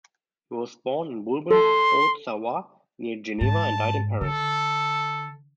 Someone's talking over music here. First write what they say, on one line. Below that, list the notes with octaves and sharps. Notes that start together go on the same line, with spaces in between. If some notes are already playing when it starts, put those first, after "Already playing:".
He was born in Vulbens, Haute-Savoie, near Geneva, and died in Paris.
A4 C6
G#2 A5
D3 A4